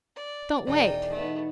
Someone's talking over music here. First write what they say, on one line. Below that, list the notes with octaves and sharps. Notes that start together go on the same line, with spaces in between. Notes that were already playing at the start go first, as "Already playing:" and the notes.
Don't wait.
D5
E1 D#4 D5 G5
A3 B3 D#4